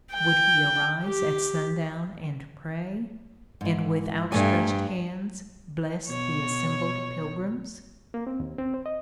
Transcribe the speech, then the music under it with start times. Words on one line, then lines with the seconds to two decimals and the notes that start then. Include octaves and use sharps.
Would he arise at sundown and pray, and with outstretched hands bless the assembled pilgrims?
0.13 G5
1.05 G4
3.61 G#2 E3
4.32 G2 A3 G#5
6.08 B2 C#5
8.14 A#3
8.27 C4
8.40 D#2
8.58 C4
8.74 C5
8.86 D#5